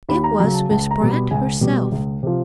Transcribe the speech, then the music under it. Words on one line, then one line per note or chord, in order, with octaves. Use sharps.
It was Miss Brant herself.
D#2 B5
A#5
C#3 F#3 A#5
A5
C#2 A5
A#5
B2 G3
B5
C#2 G#5
B2 G3
C#2
C3 F3